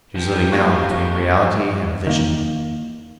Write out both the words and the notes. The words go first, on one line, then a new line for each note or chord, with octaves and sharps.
She was living now between reality and a vision.
F3 D#4 G4 B4
A#3 C#5 C#6 F#6 A#6
D#3 A#3